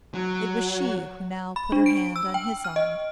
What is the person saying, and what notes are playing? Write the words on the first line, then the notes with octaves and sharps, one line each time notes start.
It was she who now put her hand on his arm.
F#3
B5
D4
D7
E6
G5
F6
D#5